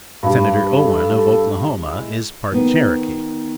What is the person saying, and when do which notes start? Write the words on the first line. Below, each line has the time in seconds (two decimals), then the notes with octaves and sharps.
Senator Owen of Oklahoma is part Cherokee.
0.23 G2
0.79 A4
1.78 G#3 E4
2.52 D#3 B3